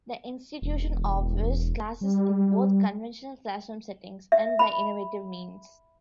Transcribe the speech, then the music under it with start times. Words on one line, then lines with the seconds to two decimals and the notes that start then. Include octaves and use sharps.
The institution offers classes in both conventional classroom settings and by innovative means.
0.62 E1
2.01 G3
4.32 E5
4.59 B5